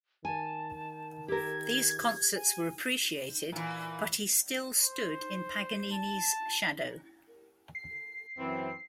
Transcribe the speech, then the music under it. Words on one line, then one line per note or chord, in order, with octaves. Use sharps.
These concerts were appreciated, but he still stood in Paganini's shadow.
D#3 G#5 A5
G4 A4 A#4 G#6
G#5
A#2 E3
C5
A5
C7
F#2 E3 C4